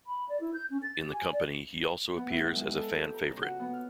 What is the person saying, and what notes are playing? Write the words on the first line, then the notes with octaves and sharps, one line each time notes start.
In the company, he also appears as a fan favorite.
B5
D5
E4
G6
C#4
A6
G4
G#5
D5
B3
A2
G4
G#3
A4
G4
A#5
C#3
F#4
B3
F6